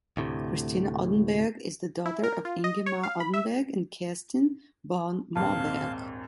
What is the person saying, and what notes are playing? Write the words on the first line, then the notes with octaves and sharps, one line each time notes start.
Christina Odenberg is the daughter of Ingemar Odenberg and Kerstin, born Moberg.
D2 A2 C3
E4
A#4
F4
D#5
C#5
F5
B5
E5
A#1 D#2 G#2 C4 F5 A5